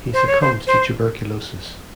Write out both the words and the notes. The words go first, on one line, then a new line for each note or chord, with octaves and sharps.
He succumbs to tuberculosis.
C5
C#5
C5
C5